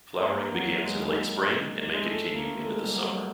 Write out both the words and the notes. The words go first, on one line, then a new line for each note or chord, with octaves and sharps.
Flowering begins in late spring and may continue into the summer.
A#3
F#3
G#3
G#3
A3
A#3
A3
G#3
G3
F#3